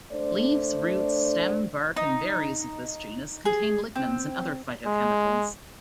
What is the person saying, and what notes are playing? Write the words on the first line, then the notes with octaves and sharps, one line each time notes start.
Leaves, roots, stem, bark and berries of this genus contain lignans and other phytochemicals.
A3 D4 C5 D5
D#4
G#4
C4
G#3